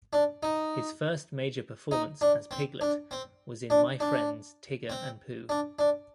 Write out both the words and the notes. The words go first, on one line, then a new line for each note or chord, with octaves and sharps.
His first major performance as Piglet was in "My Friends Tigger and Pooh".
D4
D#4
D#4
D4
C4
D4
C4
D4
D4
C4
D4
D4